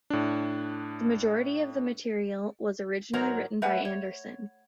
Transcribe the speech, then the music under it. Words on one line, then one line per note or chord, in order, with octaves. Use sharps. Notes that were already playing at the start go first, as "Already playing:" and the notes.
The majority of the material was originally written by Anderson.
A2 D4
G#2 F#3 A#4 C5 A#5
A3 B4 F#5 G#5
C#5